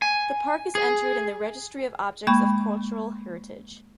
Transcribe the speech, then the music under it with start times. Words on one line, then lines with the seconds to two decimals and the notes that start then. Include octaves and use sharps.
The park is entered in the Registry of Objects of Cultural Heritage.
0.02 G#5
0.75 G#4
2.27 G#3 A#3 G5 B5 C#6